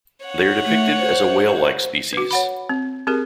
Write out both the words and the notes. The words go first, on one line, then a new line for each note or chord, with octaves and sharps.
They are depicted as a whale-like species.
C#5 F#5
A3
C5
F#4 B4
C#5 F#5 B5
C4
C4 G4 G#4 A#4